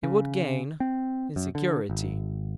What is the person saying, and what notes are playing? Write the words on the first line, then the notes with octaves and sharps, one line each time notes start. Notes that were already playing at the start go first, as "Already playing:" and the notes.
"It would gain in security."
C#3
C4
F#2
D3
G#1